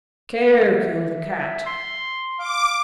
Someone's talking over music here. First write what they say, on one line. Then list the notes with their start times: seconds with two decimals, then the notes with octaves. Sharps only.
Care killed a cat.
0.72 E5
1.66 C6
2.39 F5 D6